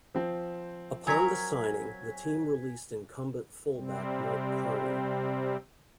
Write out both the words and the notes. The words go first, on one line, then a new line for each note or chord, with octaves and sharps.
Upon the signing, the team released incumbent fullback Mike Karney.
F3 C4
F#3 A#4 G#5 G#6 B6
C3 G3 C4